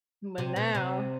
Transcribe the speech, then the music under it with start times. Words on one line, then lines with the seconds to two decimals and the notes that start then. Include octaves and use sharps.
But now
0.38 C3
0.56 B2
0.75 C3